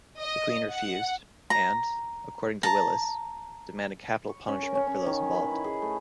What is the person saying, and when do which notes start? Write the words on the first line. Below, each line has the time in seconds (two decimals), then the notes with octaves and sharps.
The Queen refused, and, according to Willis, demanded capital punishment for those involved.
0.20 D#5
0.71 F#5
1.50 A#5
2.63 A5 A#5
4.29 C#6
4.48 C#4
4.63 A#4
4.75 C#4
4.87 C#4
5.06 D#3
5.34 B4
5.51 E4
5.64 G#4
5.82 A3